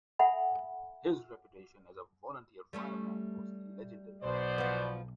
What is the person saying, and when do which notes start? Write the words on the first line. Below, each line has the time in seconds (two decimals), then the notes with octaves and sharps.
His reputation as a volunteer fireman was legendary.
0.19 A4 E5 F#5 G#5 B5
2.73 G3 A3 C#4
4.22 B1 B2 C5 D5
4.58 F3 B3